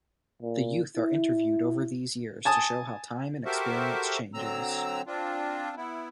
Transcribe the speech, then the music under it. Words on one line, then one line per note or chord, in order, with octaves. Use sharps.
The youth are interviewed over these years to show how time and experience changes.
A#2
E4
G#5 A5 D#6
F#4 G4 A4 A#4 C5 E5
D3 F#3 C4 A#5 E6
C4 D4 F4
B3 E4